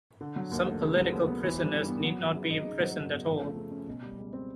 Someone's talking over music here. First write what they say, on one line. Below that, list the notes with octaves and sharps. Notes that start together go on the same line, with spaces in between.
Some political prisoners need not be imprisoned at all.
D3
F#3
D#2
A3
C#3
F#3
D#2
B3
E3
G3
G2
B3
F#3
B3
C#3
D#4
C#3
F#3
F#2
B3
F3
A3
C#3
C#4
B2
G3
C#2
C4